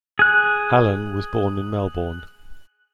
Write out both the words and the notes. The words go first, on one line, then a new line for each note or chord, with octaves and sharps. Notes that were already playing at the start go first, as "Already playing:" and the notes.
Allan was born in Melbourne.
G#4 F#6